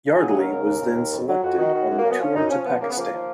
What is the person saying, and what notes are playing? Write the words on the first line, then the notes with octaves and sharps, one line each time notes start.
Yardley was then selected on the tour to Pakistan.
C#3
G#4
F#3
G#4
D#2 A#4
C#3 A#4
D#2
D#2
D#3
F2
F#3
F2 F#4
D#3
D#3
F#2
A#3
F#2
B3
F3 C#4
F#2 D#4
F3 C#4
F3 B3
C#3 A#3
B3
F3 A#3
F3